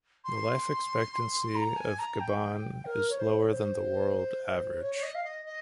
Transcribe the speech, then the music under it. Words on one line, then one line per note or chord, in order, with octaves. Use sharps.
The life expectancy of Gabon is lower than the world average.
C6
A#5
G#5
A#5
G5
A#4
C#5
C5
C#5
C5
C#5
C#5
D#5
F5
D#5
D#5